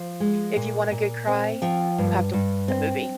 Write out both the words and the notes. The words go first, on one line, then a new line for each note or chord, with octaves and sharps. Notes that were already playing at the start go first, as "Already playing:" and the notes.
if you want a good cry, you have to that movie.
Already playing: F3
G#3
A#2
A#2
C4
F3 G5
G2
G2
C4